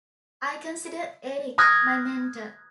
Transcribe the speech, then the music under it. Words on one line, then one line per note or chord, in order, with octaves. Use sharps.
I consider Eric my mentor.
D#6 F6 F#6 G#6 A#6